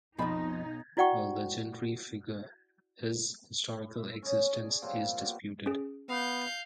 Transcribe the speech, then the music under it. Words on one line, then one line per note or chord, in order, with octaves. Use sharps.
A legendary figure, his historical existence is disputed.
B1 F2 F3 D#4 G#4 D#5 G5 B5
E4 F#4 D5 F#5 G5 C#6
E5
C#4 C#5 D#5
G#4 D5
A#2 F3 G3 C4
B2 F#4 G4
C#4 G#4
B3 F5 G6